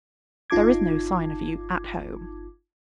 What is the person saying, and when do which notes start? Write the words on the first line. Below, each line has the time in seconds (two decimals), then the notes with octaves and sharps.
There is no sign of you at home.
0.50 G1 D#4 F4 A5 D6 G#6